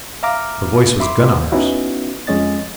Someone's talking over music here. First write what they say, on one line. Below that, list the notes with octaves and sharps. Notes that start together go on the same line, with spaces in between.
The voice was Gunnar's.
E5 F5 A#5 D6 F6
E5 B5 C6 D6
B3 C#4 D#4 E4 F#4
F2 G#3 C#4 D#5 A6